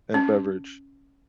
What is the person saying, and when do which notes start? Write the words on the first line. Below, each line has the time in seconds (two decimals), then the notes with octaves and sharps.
and beverage.
0.14 C#4